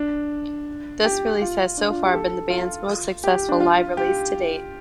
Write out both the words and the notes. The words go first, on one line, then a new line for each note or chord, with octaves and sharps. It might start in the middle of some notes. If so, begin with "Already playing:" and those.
This release has so far been the band's most successful live release to date.
Already playing: D4
G4
G4
F4
D4
F4
G4
A4
F4
G4
D4
F4
G4